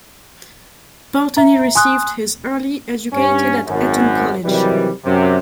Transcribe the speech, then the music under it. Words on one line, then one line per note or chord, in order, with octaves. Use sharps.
Pulteney received his early educated at Eton College.
E5 A#5
G#5 C6 D#6 F#6
G2 C#4
G#1 F#2
C3 D#3 E3 F#3 G3
F#2 C3